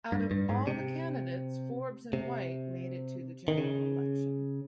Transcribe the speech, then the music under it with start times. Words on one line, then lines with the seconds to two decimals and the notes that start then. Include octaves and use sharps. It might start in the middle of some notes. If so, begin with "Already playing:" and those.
Out of all the candidates Forbes and White made it to the general election.
0.12 G2
0.31 G2
0.49 G#2
0.67 C3
2.13 C3
3.48 D#3
3.58 C#3